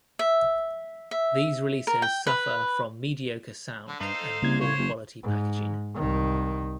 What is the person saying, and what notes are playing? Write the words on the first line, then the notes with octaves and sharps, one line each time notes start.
These releases suffer from mediocre sound and poor quality packaging.
E5
E5
A#4
G5
B4
D3
G2 D#4 C5 F5
A4
C2 C#3 A#3 G#6
C5 C#5
F#1
G#2
C2 D#3